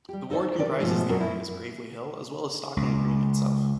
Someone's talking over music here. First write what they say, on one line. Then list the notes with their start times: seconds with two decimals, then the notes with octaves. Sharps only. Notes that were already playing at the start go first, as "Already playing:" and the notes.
The ward comprises the areas Gravelly Hill as well as Stockland Green itself.
0.09 G3 G4
0.30 D#4 A4 B4 C5 D5
0.58 D#3 G4 B4 D5
0.80 G#2 B2 F3 G#3 A3
1.08 F#2 B2 F#3 B3 F#4 A#4
1.20 E4
2.77 C#2